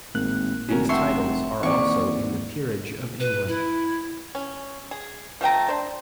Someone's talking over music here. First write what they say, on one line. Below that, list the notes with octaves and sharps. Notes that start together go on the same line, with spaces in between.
These titles are also in the Peerage of England.
G#1 A2 A#3 F#6
F1 C#4 F#4 A#4
E5 F#5 G5 A5 C6 C#6
D#2 E3 C4 G#4 D5 F#5 C#6
B4
E4
C#4
G#4
F3 A3 G5 A#5
D4 C5